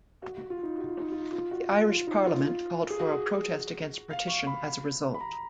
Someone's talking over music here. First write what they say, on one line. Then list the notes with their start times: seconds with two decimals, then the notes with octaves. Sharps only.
The Irish parliament called for a Protest Against Partition as a result.
0.22 F#4
0.37 F#4
0.50 F4
0.63 D#4
0.78 F#4
0.89 F4
1.00 D#4
1.12 F4
1.33 F4
1.51 F#4
1.70 F4
1.89 F4
2.07 D#4
2.26 F4
2.90 G#4
3.00 F#4
4.11 F5
4.28 C#6
4.47 B5
5.14 B5
5.21 A#5